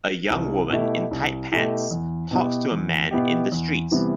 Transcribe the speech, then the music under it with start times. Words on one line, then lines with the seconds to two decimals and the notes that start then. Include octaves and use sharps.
A young woman in tight pants talks to a man in the street.
0.30 C2
0.70 B2 A3 E4 G4
1.11 C2
1.52 B2 A3 E4 G4
1.91 E2
2.31 B2 B3 E4 G4
2.71 E2
3.11 B2 B3 E4 G4
3.52 E2
3.91 C3 E3 G3 B3